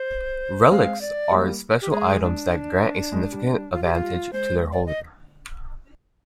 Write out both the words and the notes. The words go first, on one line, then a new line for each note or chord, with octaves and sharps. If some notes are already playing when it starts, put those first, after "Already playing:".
Relics are special items that grant a significant advantage to their holder.
Already playing: C5
G#3 C4 F5
D5
G3 A#3
G4
G#3 G#4
D4
G#3
G3
G3
F4
G4
F4
G3
G#3 C5
D5
D#5